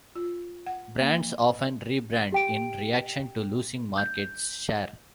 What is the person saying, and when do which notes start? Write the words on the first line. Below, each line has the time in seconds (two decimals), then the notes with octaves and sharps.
Brands often re-brand in reaction to losing market share.
0.16 F4
0.66 F#5
1.00 A#3
2.32 G4 G5 D7
3.98 G6